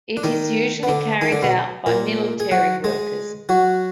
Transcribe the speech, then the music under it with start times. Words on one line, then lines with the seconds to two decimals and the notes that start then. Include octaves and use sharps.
It is usually carried out by military workers.
0.17 D4
0.23 D#3 D#4
0.83 B3
0.88 D3 D4
1.21 D#3 D#4
1.32 D3 D4
1.43 B2 B3
1.86 A#2 A#3
2.40 G#4
2.51 F#3 F#4
2.84 G#3 G#4
3.49 F#3 F#4